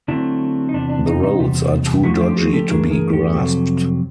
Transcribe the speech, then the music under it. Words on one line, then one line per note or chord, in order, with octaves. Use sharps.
The roads are too dodgy to be grasped.
D3 F#3 A3 C4 D4 E4
D#4
E2 C3 E3 D4
D4
D#4
D#4
E2 C3 G3
D3 F3 A3 D4 E4 F#4
F4 G4
F#4 G#4
G4 A4
G2 E3 A3 D4 G#4 A#4
G#4 A#4
G4 A4
F2 C3 D#3 F#3 A#3